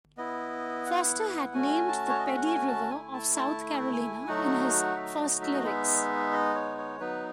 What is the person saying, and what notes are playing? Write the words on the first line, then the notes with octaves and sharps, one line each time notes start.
Foster had named the Pedee River of South Carolina in his first lyrics.
B3 E4 D#5
F#5
A3 C#4 F#4 G#5
A5
C#5
D#5
E5
F#5
G#5
A5
A3 E4 G#5
A5
A5
G#5
F#3 A3 D#4 F#4 F#5
E5
D#5
E5
D#5
G#3 B3 D#4 E5
D#5
C#5
C#5
F#3 B3 D#4 B4